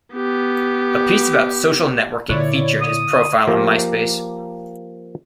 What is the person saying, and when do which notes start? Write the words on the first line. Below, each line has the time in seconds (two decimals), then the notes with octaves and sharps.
A piece about social networking featured his profile on MySpace.
0.14 B3 G4
2.30 A#2 D3 E4 C#5 D5
2.81 D#6
3.47 F3 A#3 G4 A#4